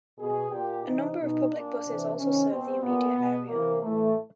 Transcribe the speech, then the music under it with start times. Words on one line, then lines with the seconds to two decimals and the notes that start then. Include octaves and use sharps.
A number of public buses also serve the immediate area.
0.18 B2 G#4
0.51 A#2 G4
0.84 C3 E3 D#4
1.17 B2 D#4
1.50 A#2 D4
1.84 C3 E3
2.17 C3 D#3 C#4
2.50 B2 C4
2.83 A#2 B3
3.16 B2
3.48 C3 E3 A#3
3.82 A2 E3 A3